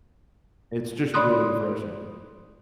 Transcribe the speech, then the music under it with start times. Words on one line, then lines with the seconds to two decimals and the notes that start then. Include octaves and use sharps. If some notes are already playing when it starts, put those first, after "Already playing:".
It's just really refreshing.
1.14 C#5 D5 B5 C6 D#6 F#6